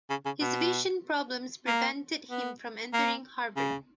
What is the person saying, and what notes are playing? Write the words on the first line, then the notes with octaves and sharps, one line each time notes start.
His vision problems prevented him from entering Harvard.
C#3
C#3
B2
A#3
B3
A#3
C#3